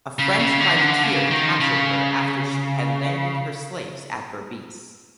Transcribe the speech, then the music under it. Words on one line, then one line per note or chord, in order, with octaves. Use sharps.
A French privateer captured her after she had landed her slaves at Berbice.
C#3
C#3
D3
D#3
D3
C#3
D#3
C#3